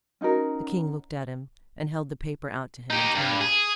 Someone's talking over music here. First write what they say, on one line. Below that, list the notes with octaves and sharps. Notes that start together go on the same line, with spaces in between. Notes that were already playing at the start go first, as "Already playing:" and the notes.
The king looked at him, and held the paper out to him, in turn.
C#4 D#4 F#4 A#4
D#4 G4
G2
G#4